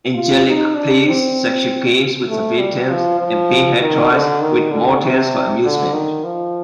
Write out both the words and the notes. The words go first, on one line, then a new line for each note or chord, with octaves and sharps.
Angelique plays sexual games with her victims, and Pinhead toys with mortals for amusement.
F4
D#4
D4
C4
A3
G3
F3
F3
D#3
D3
D#3
D3
C3
D3
D#3
F3